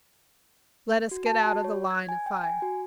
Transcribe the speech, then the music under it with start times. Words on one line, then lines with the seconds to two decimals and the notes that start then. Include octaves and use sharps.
"Let us get out of the line of fire."
1.11 F#4
1.26 A5
1.46 F#4
1.64 C#5
1.90 G#6
2.09 G#5
2.26 G5
2.44 G#5
2.62 F#4